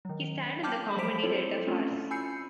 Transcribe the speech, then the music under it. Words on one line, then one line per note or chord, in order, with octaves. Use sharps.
He starred in the comedy "Delta Farce".
D#3 F#3
G5 A5 D6 F6 G6
F3 F#3 C5 B6 D7
C4 E4 F4 A4 C5 C#5
A3 C4 C#4 E4 F4
G#5 B5 E6 G6 C7 C#7